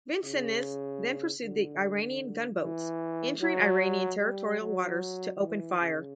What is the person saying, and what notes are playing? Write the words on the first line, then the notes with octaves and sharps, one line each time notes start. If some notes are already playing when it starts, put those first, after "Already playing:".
"Vincennes" then pursued the Iranian gunboats, entering Iranian territorial waters to open fire.
C#3
D3
E3
F#3
G3
F#3
E3
C#3